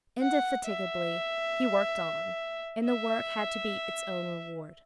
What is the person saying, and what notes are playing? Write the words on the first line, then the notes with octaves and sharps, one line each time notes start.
Indefatigably he worked on, and the work had to be its own reward.
F#5
E5
E5